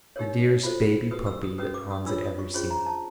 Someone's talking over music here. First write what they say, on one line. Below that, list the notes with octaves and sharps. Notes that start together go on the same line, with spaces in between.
The dearest baby puppy that Hans had ever seen.
D#4 G4 A#4 C#5
F4 A4 C5
F#4 B4 D#6
E6
D#6
C#4 F#4 B4 D#6
D6
D#6
D4 F4 A#4 C#5 E6
D#6
C#6
C#4 F4 G#4 C5 C6
A#5
A5